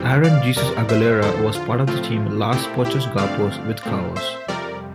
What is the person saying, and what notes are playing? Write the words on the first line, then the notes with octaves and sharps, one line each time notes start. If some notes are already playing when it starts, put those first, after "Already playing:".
Aaron 'Jesus' Aguilera was part of the team Los Pochos Guapos with Kaos.
Already playing: F2 E3 G3 C4
D5 F5
F2 C3 G3 A#4 D5
C5 E5
E2 D3 F3 A4 C5
F4
A2 F3 A3 C4 F4
A#2 A3 C4 E4 G4
E4 G4
G2 D3 F3 A3 C4 D5 F5
A#2 A3 C4
C5 E5
F2 C3 G3 A#4 D5